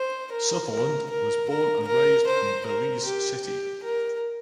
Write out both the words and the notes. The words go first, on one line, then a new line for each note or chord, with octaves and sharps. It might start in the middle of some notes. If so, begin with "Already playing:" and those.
Sutherland was born and raised in Belize City.
Already playing: C5
A#4
A#4
A#4
A#4
A#4
C5
A#4
G4
G4
A#4